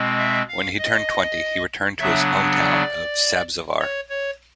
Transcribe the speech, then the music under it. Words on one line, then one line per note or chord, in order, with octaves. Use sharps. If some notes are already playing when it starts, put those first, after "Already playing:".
When he turned twenty, he returned to his hometown of Sabzavar.
Already playing: B2 G#3 C4
E5
F5
D#5
C#3 F#3 B3 D4 E5
D5
C#5
C#5